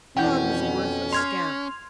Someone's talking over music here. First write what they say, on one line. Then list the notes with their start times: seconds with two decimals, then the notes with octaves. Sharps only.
Rod was a worthless scamp.
0.17 F2 B2 E3 C#4 F#5 G5 G6
1.12 C6 F6 G#6 F7